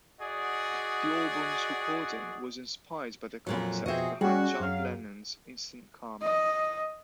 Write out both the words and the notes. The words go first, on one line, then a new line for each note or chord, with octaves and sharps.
The album's recording was inspired by the concept behind John Lennon's Instant Karma!
F#4 G#4 D5 D#5 F#5
F2 A#2 F#3
F2 B2 C4 F#4 G#4 D#5 E5
G3 C#4 F#4 G#4
F#2 F#3 F5
D#5